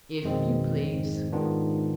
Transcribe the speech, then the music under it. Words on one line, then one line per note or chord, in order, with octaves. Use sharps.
"If you please."
F2 B2 D#3 G#3 C4
G#2
G#2 D#3 B3 D4 F4